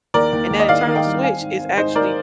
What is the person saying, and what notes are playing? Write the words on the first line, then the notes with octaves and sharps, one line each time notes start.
and that internal switch is actually
D#2 A#4 D5
D#2
D#2
D#5
D#2 D5 F5
D#3
D#5 G5
G3
C4 F5 G#5
G#2
C4
G#2 C5 D#5
D#4 A#4 D5